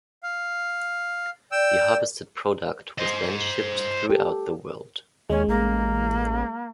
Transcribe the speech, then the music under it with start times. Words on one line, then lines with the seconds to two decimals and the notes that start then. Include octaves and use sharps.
The harvested product was then shipped throughout the world.
0.23 F5
1.52 D5 G5 E6
2.99 C5 D#5
4.10 G4 A4
5.30 D#2 G#3 C#4
5.48 A1 A#3